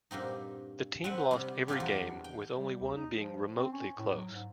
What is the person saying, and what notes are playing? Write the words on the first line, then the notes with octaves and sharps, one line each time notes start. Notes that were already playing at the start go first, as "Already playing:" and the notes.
The team lost every game with only one being remotely close.
G2 A#2 C4 D#4
C4 B4 E5 F#5
C3 G3
G3 B3 C4 D4 D#4 F4
E2
G5
G3
D#2
D#4
F3
C4
C#4
A2
F#3
G#2